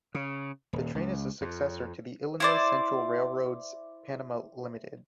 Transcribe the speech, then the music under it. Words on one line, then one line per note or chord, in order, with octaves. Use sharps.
The train is a successor to the Illinois Central Railroad's "Panama Limited".
C#3
D#1
C#2
F2
E4 C5 D5